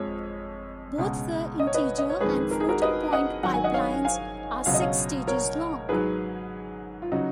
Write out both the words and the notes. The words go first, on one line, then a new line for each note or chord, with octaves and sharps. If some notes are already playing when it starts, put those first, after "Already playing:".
Both the integer and floating-point pipelines are six stages long.
Already playing: F2 F3 G#3 C#5
C#2 B2 G#3
D#5
C#5
B4 D#5
D#5
C#5
F2 D#3 G#3 G#4 B4
A#4
G#4
F#4 A#4
B4 D#5
D#5 F#5
G#2 D#3 F#3 F#5
G#5
D#5 F#5
C#5 F5
F5 G#5
C#2 B2 F#3 F5
D#5
C#5 F5
A#4 C#5
G#2 F#3 G#4 B4
F4
C#3 F#3 D#4 F#4